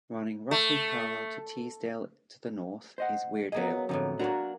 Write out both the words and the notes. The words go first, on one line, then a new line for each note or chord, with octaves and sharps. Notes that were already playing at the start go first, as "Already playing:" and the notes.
Running roughly parallel to Teesdale to the north is Weardale.
A3
C5 D#5 F#5
F#3 A#3 B3 G#4 D#5
F2 A2 D3 B3 D#4
A#3 D4 F#4 A#4 G#5 A#5